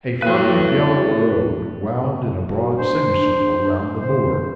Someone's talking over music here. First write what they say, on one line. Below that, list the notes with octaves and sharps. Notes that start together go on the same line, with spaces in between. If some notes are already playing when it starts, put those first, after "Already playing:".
A firm yellow road wound in a broad semicircle round the moor.
A2 A#3 F#4 B4 G5
F#4
D4 C5
D3 C5